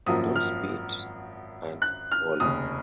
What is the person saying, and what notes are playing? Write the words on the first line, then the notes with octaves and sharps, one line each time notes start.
Don't Spit and Holler!
G#1 F#2 F3 A#3 F4 D#6
F6
F#6
F6
F1 D#2 C#3 D#6